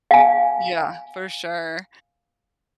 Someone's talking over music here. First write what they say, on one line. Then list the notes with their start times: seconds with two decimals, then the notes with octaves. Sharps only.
Yeah, for sure.
0.11 F5 G#5